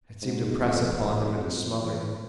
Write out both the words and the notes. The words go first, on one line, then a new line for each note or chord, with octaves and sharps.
It seemed to press upon him and to smother him.
G#2
F2
E2
F2
E3